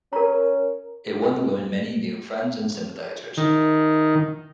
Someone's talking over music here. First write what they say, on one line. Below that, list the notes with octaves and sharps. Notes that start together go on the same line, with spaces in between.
It won the women many new friends and sympathisers.
C#4 A#4 A#5
D#3